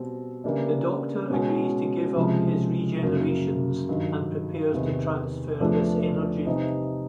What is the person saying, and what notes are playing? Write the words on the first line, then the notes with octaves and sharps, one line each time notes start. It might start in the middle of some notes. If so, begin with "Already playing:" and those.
The Doctor agrees to give up his regenerations and prepares to transfer this energy.
Already playing: B2 G3 C4
C#3 E3 G3 A#3 D4
B2 G#3 C#4 F#4
C#2 C3 F3 G#3
F#2 C#3 F#3 A#3
G2 D#3 F#3
E2 C3 D#3
E2 C3 F3 A3 D4
C3 E3 G3 C4 D#4